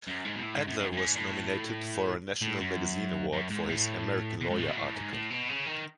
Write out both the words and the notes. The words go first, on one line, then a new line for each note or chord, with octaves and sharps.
Adler was nominated for a National Magazine Award for his "American Lawyer" article.
F#2
G#2
B2
A2
G#2
F#2
F#2
F#2
G#2
A2
A2
F#2
F#2
G#2
A2
B2
G#2
A2
B2
A2
G#2
A2
B2
C#3
D#3